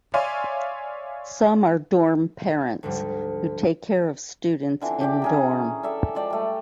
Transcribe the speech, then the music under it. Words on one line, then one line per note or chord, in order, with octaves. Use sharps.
Some are dorm parents, who take care of students in dorm.
C#5 D5 E5 F5 G#5 C6
D2 G#2 F3 G3
D3 E3 F3 C4
G4 D5
C#4 G#4 A#5
A4 D5 E5 G5
F3 G#3 D5 G5
G3 A3